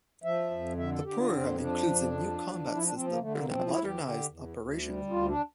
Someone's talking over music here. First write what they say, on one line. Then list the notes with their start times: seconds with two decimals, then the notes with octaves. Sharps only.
The program includes a new combat system and a modernized operations room.
0.24 F3 E5
0.51 F2
0.78 D3 E5
0.91 A4
1.05 D3 G4
1.18 F4
1.32 F2 C4
1.59 F3 D4
1.86 F2
2.13 F3
2.40 E2
2.67 F3 E4
2.83 D4
2.94 F3 C4
3.07 A#3
3.21 D3 A3
3.34 A#3
3.48 F3 C4
3.66 E4
3.75 E2
3.84 G4
4.02 D3 G4
4.29 E2
4.56 D2
4.83 G3
5.09 D2 F4
5.28 D4